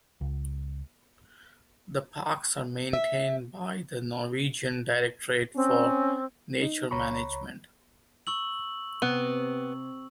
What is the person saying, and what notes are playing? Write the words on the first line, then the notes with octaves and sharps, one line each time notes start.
The parks are maintained by the Norwegian Directorate for Nature Management.
C#2
E5
C4 C#4
D#4
C#2 C#5 A#5 B5 C#6
C#6 E6 F#7
C3 B3